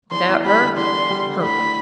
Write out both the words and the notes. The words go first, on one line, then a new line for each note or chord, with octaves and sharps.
Without her? Humph!
E2 C6
E2
G3 B5
D3
E2 C6
E2
G3
D3
A2 B5
A2